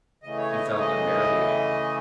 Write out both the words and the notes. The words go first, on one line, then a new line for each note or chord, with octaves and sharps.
He felt unbearably awkward.
C#3 E3 A3 D#5
C#5
D#5
C#5
D#5